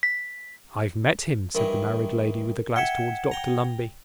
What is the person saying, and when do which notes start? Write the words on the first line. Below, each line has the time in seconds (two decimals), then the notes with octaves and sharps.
'I've met him,' said the married lady, with a glance towards Dr Lumbey.
0.03 B6
1.55 G2 D#3 E3 A#4
2.76 E5 F#5 G5 G#6 C#7
3.31 G5 A#5